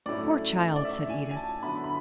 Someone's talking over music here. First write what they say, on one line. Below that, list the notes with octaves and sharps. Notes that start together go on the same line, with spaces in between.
'Poor child!' said Edith.
A2 F#3 A3 C#4 E4 D5
D5
E5
G#5
G#5
A5
D3 F#3 B3 E4 B5
B5